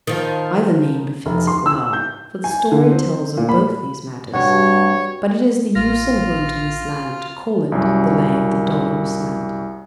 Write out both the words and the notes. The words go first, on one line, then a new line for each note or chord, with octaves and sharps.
Either name befits it well, for the story tells of both these matters, but it is the use and wont in this land to call it the Lay of the Dolorous Knight.
D#3 F3
F1
C6
E6
G6
G#5
D3
C4
A#2
B5
A1 G2 C3 G3 F#4 C#5
A1 F4 F6 A#6
C2 F#2